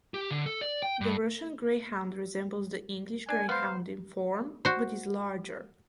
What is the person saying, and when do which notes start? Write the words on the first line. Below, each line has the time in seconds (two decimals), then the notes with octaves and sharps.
The Russian Greyhound resembles the English greyhound in form, but is larger.
0.14 G4
0.31 D3
0.46 A4
0.61 D5
0.83 G5
1.01 G2
3.29 D4 G#5
3.49 B3 C5 F5
4.65 F#4 C5